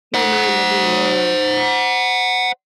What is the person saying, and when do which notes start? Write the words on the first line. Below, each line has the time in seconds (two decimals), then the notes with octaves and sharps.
My mind is in a whirl.
0.14 C5 F#5